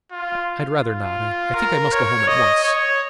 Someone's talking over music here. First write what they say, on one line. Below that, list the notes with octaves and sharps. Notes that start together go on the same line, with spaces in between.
"I'd rather not--I think I must go home at once."
F4
F4
A#4
C#5
D#5
C#5